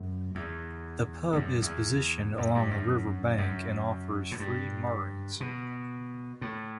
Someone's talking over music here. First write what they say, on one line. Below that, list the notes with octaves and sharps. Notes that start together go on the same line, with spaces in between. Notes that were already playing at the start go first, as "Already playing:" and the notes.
The pub is positioned along the river bank and offers free moorings.
Already playing: F#2
E2
E2
F#2
E2
F#2
G2
F#2
F#2
A2
G2
B2
A2